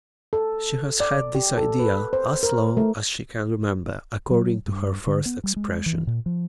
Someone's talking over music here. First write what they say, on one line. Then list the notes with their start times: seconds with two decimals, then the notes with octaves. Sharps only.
She has had this idea "as long as she can remember," according to her first expression.
0.33 A4
1.00 D5
1.35 G4
1.57 A4
1.80 B4
2.13 C5
2.43 A#4
2.77 A3
4.30 F#3
4.67 G2
5.07 D3
5.26 B3
5.44 G3
5.56 G#3
5.86 E3
6.07 A#2
6.26 F3